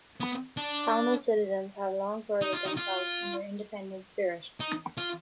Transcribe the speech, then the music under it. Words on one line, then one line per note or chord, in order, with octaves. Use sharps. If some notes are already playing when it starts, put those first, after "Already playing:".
Pownal citizens have long prided themselves on their independent spirit.
B3
D4
D#4
F4
D#4
F4
D#4
F4